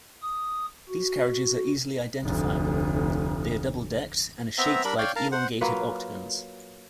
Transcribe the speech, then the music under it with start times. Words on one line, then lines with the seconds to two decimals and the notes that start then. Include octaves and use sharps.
These carriages are easily identifiable; they are double-decked and are shaped like elongated octagons.
0.22 D#6
0.89 F#4
2.22 F1 D2
4.58 B3 C4 E5 A#5
4.85 G3 D4 A#4 B5
4.98 C#5 D5 F5 G5
5.16 A#4 F5 A5 A#5
5.32 C5 F#5
5.61 F#3 A#3 F4 B4